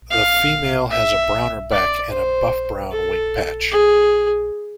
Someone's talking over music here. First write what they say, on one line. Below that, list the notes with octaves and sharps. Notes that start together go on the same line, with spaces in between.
The female has a browner back and a buff-brown wing patch.
F5
E5
D5
C5
A4
G#4